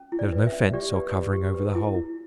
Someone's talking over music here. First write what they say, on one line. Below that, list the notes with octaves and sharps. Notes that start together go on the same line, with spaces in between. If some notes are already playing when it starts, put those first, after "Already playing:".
There was no fence or covering over the hole.
Already playing: C#4
E4
D5
B4
E5
C#4
G4 D5
B4
G4
G4
B4
E4
E4